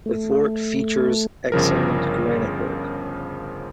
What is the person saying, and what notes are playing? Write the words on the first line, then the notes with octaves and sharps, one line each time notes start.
The fort features excellent granite work.
A3
G1 C#3 F3 A#4